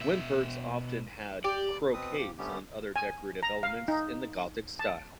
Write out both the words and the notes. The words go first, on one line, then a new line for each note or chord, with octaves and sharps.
Wimpergs often had crockets or other decorative elements in the Gothic style.
B2 E5
G4 D5
B2 C4 B4 D#6
F3 G4
D3 G3 A3 B3 C#4 G4
G#5
A#5
F5
D#4
A5